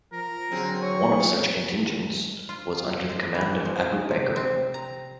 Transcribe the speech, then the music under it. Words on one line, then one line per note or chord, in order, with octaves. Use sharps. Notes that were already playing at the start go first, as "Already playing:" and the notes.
One of such contingents was under the command of Abu Bakr.
F3 A#4
D3 F#3 C4 G#4
C#5 C#6
F4
C5
E3
F3
C3
C4
A#5